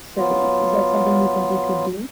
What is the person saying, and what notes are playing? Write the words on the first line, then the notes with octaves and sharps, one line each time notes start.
So is that something you think you could do?
F#3 B3 F4